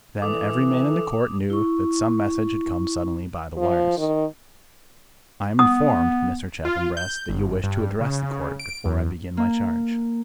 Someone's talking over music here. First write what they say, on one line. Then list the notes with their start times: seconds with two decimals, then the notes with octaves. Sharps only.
Then every man in the Court knew that some message had come suddenly by the wires. "I am informed, Mr. Chaffanbrass, that you wish to address the Court before I begin my charge."
0.22 E3 A4 D6 D#6
1.50 E4 C#6
3.57 F3
3.98 D#3
5.59 B3 D#6
6.65 F4
6.97 G6
7.29 G1
7.64 G2
8.01 C#3
8.60 D7
8.85 E2
9.37 A#3